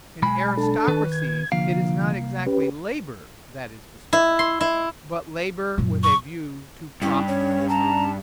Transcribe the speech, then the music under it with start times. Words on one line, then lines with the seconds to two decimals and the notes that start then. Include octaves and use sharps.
In aristocracies it is not exactly labor that is despised, but labor with a view to profit.
0.23 B1 G#3 G#5 B5
0.57 D4 A4 A5
0.88 D#3 B4
1.12 G#6
1.52 C2 D3 F3 A#3 F5
2.47 C#4 G4 B4
4.13 E4
4.39 C6
4.61 E4
5.78 F#2 A#2
6.03 C#6
7.02 G2 C#4 E4
7.28 C#4 C#5
7.69 A5 A#5